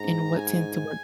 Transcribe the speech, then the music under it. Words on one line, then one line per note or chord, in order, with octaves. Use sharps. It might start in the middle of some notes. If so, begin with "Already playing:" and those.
And what tend to work?
Already playing: G#2 A#5
G#5